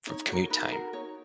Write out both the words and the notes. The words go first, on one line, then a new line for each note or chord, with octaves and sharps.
f of commute time,
D#4 C#5
F#4 A#4 C#5
D#4 B4
F#4 A#4
D#4 C#5